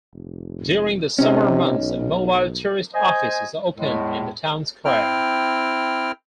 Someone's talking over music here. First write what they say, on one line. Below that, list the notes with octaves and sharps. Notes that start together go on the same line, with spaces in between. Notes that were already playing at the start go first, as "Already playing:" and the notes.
During the summer months, a mobile tourist office is opened in the town square.
F1
C3 C#4 D#4
B1
C5 D#5 G#5
E2 A2 G#3
C4 E4 G5 F6